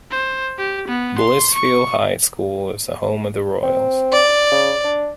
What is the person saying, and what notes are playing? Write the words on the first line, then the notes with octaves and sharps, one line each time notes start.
Blissfield High School is the home of the Royals.
C5
G4
B3
C6
C#6
C4
D5
C#3
D4